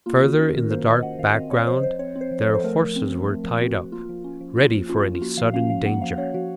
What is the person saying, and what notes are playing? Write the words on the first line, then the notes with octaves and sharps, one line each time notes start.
Further in the dark background, their horses were tied up, ready for any sudden danger.
A#3 F4
D#3
F#4
C#4
D#3 A#4
A#3 C5
D#3 D#5
C#4 F#5
D#3 F5
C4 D#5
C4 C#5
F3 C5
F3 C5
C4 C#5
C4
C5
F3
A4
F3
C5
A3 A#4
F3
C4
F3
A3
F3
C4 F#4
F3
A#3 F4
F3
C#4
F3
A#3 F4
F3
C#4 F4
F3
F4
A#3 F#4
F3 F5
C#4 F5
F3 F5
A#3 F#5
F3 F5
C#4 C#5
F3 F#4